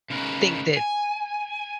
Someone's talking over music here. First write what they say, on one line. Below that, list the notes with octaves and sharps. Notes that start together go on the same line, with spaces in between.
think that
C#3 D#4 A#4 B4
G#5